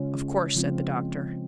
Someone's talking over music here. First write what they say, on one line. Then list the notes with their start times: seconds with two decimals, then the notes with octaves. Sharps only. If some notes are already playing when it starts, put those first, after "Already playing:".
"Of course," said the doctor.
Already playing: C#3 G#3 C#4 F4
0.55 C#3 F3 G#3 C4 F4